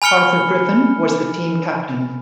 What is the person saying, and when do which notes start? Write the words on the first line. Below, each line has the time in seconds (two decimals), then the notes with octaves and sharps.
Arthur Griffen was the team captain.
0.02 G#5 B5 F6 C#7 G7